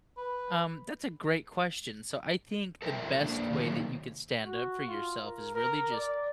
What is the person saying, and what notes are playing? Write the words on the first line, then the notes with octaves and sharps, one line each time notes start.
Um, that's a great question, so I think the best way that you could stand up for yourself is really just
B4
A4 A#4 C5 E5 G5
D3 A#3 D4
C3 D#3 F#3 A#3
F#4
F4
A#4
A#4
D5